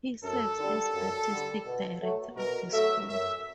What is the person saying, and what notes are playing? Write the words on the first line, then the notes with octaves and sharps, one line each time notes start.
He serves as artistic director of the school.
F#2 A4
D3 G3
F#2
D3 G3
B2
F#3 A3
B2 A#4
F#3 A3 E5
F#2 E5